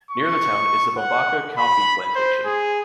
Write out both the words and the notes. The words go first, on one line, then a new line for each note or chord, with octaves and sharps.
Near the town is the Bebeka coffee plantation.
C#6
F#5
B5
C5
G#4